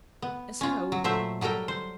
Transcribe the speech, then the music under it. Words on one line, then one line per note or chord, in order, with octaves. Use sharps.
"As how?"
B3
C#4 F4
F#3
A#2 F#3 A3 C5 E5
F#3 G3 A4 A#4 G5
C5